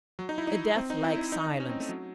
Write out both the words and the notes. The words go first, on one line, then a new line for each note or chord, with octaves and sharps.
A deathlike silence.
F#3
D#4
E4
D#4
C4
D#4
E4
D#4
D#4
D#4
C#4
C4
A3
F#3